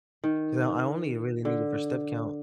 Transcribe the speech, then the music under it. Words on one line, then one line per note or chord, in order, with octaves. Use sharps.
'cause I o I only really need it for step count.
D#3
D3